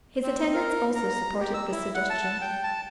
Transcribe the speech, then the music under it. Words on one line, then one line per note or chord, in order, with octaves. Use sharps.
His attendants also supported this suggestion.
C4
A#4
A#5
G4
E6
E4
F#5
A5
G5
A5